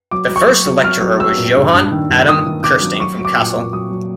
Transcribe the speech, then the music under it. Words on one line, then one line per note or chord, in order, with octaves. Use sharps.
The first lecturer was Johann Adam Kersting from Kassel.
F#3 D6
F#3
C#6
F#3
F#3
F#3 F6
F#3
F#3 E6
A#2
G2
G2
D#3
G2
D#3 D#6
D#3
D#3 D6
F#3
F#3 C#6
F#3
D6
A#2
A#2
F#3 D#6
F#3